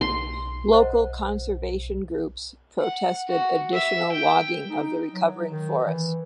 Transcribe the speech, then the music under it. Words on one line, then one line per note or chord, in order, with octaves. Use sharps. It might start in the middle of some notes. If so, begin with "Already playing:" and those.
Local conservation groups protested additional logging of the recovering forest.
B1 C6
C5 D#5 F#5
F#5
F#4
E5
G5
D#4
F#3
D#3
E3